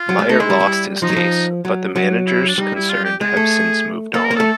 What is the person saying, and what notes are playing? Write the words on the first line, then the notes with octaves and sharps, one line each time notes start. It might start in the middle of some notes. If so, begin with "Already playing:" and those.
Mayer lost his case, but the managers concerned have since moved on.
Already playing: F4
F#3
G#3
A3 D#4
G#3 E4
G3
G3
F3 D#4
F#3
F3
F#3
F#3
E4
D4
G3 D#4
E4
F4
G4
G#3 G#4
A3
A#3 A4
A#4
A#3
A3 A4